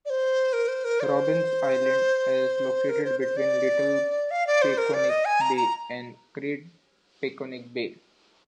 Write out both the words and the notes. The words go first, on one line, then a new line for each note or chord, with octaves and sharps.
Robins Island is located between Little Peconic Bay and Great Peconic Bay.
D5
C5
A#4
C5
A#4
D5
C5
A#4
C5
C5
D5
F5
D5
C5
A#4
D5
D#5
G#5
A#5
A#5